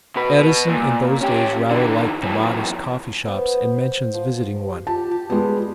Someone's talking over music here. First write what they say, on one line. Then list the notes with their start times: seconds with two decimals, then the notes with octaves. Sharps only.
Edison in those days rather liked the modest coffee-shops, and mentions visiting one.
0.16 B2 B4
0.68 A#2
1.21 C#4 G4
1.71 D3 E3
2.23 F#2 E3
3.25 B3 C5
4.14 F3
4.64 G4
4.87 F4 G4 A5
5.11 G4
5.30 G3 G#3 B3 F4